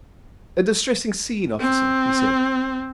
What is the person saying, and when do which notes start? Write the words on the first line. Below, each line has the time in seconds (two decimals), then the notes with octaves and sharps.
'A distressing scene, officer,' he said.
1.60 C4